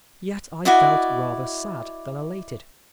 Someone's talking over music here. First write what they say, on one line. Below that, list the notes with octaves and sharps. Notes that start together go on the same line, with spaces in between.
Yet I felt rather sad than elated.
E4 F#4 D5 D#5